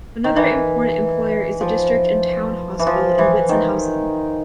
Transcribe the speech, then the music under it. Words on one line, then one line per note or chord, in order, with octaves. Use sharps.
Another important employer is the district and town hospital in Witzenhausen.
D#3
E3
F3
E3
F3
E3
D#3